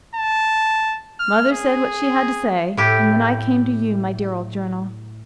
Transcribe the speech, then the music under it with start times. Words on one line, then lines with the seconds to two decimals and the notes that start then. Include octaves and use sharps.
Mother said what she had to say, and then I came to you, my dear old Journal.
0.16 A5
1.20 F6
1.52 G#4
2.77 A2 E4 G4